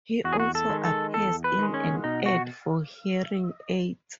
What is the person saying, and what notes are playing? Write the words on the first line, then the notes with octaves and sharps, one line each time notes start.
He also appears in an ad for hearing aids.
E2 F#4
G#4
F#4
A4
D#3 G#3
A4
E2 A4
B4
D#3 G#3
C#4
B2 D#4
F#4